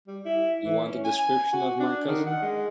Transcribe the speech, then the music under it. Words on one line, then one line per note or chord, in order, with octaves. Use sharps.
You want a description of my cousin?
G3
E4
E3
C#4
G#5
F#4
D4
D#3
F#5
G#3